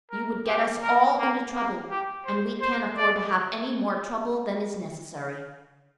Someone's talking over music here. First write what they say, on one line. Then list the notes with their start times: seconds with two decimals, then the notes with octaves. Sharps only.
You would get us all into trouble, and we can't afford to have any more trouble than is necessary.
0.11 A#4
0.47 G4
0.82 A#4
1.18 A#3
1.54 A#3
1.90 G4
2.25 C5
2.61 C5
2.97 D5